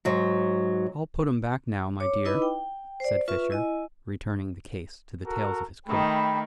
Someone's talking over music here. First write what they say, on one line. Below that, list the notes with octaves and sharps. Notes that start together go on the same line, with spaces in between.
"I'll put 'em back now, my dear," said Fischer, returning the case to the tails of his coat.
G#2 F#3
C#5 D6
D#4 E4 B4 D#5 B5 D6
G5
C5 D5
F4 B4 E5 C#6
E4 D#5 G#5
F#4 A4 A#4
D#3 A3 G5 B5